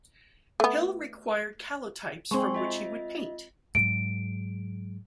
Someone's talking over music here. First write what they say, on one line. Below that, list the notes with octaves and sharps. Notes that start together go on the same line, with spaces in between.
Hill required calotypes from which he would paint.
A3 B3
G#3 C4 G#5 C6 C#6
F4 D#5 E5
G#2 F#3 D7